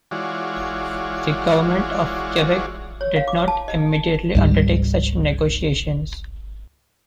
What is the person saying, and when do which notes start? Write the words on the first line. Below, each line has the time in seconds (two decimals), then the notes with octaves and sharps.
The government of Quebec did not immediately undertake such negotiations.
0.11 E3 G#3 F4 F#4 C#5 D5
3.01 C#5
3.16 F5
3.28 D6
3.48 A5
3.68 D#5
4.35 C#2 G#2 G3